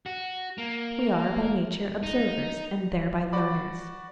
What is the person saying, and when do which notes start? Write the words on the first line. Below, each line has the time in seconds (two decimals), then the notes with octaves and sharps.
We are by nature observers, and thereby learners.
0.06 F#4
0.58 A#3
2.03 D#4
3.33 F#4 D5 B5 D6